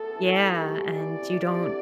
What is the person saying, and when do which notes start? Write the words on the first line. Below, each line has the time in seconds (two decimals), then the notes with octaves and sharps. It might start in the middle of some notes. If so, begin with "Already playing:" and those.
Yeah, and you don't
Already playing: A3 B3 A4
0.15 E3
0.28 A3
0.36 G3
0.57 F#3
0.78 E3 D5
1.20 C3
1.52 C3
1.63 D3